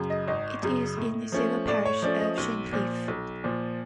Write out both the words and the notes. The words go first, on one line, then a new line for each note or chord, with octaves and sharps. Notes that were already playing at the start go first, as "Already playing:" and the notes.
It is in the civil parish of Shincliffe.
Already playing: F#2 C#3
D#5
G#1 D#5
F#2 C#3
A2
F3 A3 C#4
A2 D5
C#5
F3 A3 C#4 D5
D#5
B1
A#2 F3
B1
A#2 F3